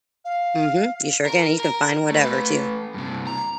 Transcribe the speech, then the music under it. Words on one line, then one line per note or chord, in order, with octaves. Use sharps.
Mhm, you sure can, you can find whatever too.
F5
A#4
A#4
A3 B4
G2 C3
A#5